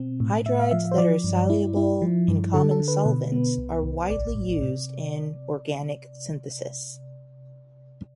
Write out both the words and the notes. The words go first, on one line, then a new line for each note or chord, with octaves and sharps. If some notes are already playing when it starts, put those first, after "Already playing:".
Hydrides that are soluble in common solvents are widely used in organic synthesis.
Already playing: B2 C4
A2
A2 E5
F5
F3 E5
C5
F3 D5
G2
E4
E4
F3
G2
D3 A4
A4
D3
B4
B2
B3
C2
C2
A1 D5
A2
C3